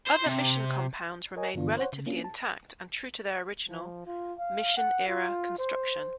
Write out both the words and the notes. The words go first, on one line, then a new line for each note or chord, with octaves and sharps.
Other mission compounds remain relatively intact and true to their original, Mission Era construction.
C5
C3
A#4 C#5 D#5 G#5
G2 D3 E3 B3 D4 F4
C5 C#5 F#5
C#3
A#3 C#4 D4 F4
A5
F3
F4
F5
F#5
F4
C5